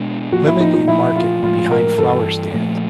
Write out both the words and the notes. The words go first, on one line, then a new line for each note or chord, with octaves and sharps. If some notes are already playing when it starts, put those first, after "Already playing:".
Women in market behind flower stand.
Already playing: B2 G#3 B3 D4
A2 F3 A#3 F#4
E4
D#4
D#4
A#2 F3 A3 E4
F4
A2 F3 G#3 F4
A#4
G2 E3 G3 A4
A#2 F3 A3